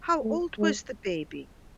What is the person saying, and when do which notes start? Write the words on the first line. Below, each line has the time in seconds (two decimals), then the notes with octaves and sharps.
How old was the baby?
0.23 A3
0.59 G#3